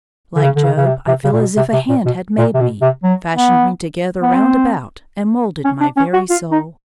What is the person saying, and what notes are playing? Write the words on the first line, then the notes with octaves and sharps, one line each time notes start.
Like Job, I feel as if a hand had made me, fashioned me together round about and moulded my very soul.
D3
C#3
D3
C#3
C#3
C3
C3
C#3
A#2
B2
C3
C3
A#2
B2
A#2
C3
B2
C3
F#3
B3
B3
C4
C#4
D4
C#4
F#4
F4
D#4